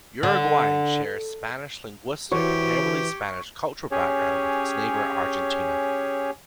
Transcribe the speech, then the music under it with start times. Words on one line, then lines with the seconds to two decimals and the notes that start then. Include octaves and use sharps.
Uruguayans share a Spanish linguistic and heavily Spanish cultural background with its neighbour Argentina.
0.23 D3
2.32 E3 F#4 G4 C5 C#5
3.91 C#4 G4 G#4 C#5